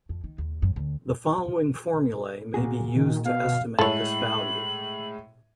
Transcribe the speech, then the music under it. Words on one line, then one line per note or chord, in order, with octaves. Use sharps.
The following formulae may be used to estimate this value.
F2
D#3
D#2
F#2
D2
A#2 F#4 G#4
D#3
B2 F5
A2 G#3 E4 A4 C#5 F#7